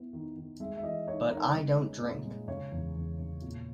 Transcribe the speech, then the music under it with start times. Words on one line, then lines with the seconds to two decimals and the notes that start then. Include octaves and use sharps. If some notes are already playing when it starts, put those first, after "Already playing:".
But I don't drink.
Already playing: B3 E4
0.13 D#3
0.36 D#3
0.60 G#3 E5
0.77 E5
0.83 E3 D#5
1.07 D#4 C#5
1.30 D#4 A#4
1.54 G#3 B4
1.77 C#4
2.01 A#2
2.24 G#3
2.47 C#3 C#5
2.71 E2
2.95 E2
3.19 C#3
3.42 A#2